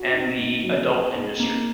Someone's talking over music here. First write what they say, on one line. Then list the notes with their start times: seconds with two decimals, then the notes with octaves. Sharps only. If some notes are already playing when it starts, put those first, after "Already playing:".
and the adult industry,
Already playing: F#4
0.13 D#4
0.39 A#3
0.63 F#3
0.89 G#4
1.15 D#4
1.40 A#3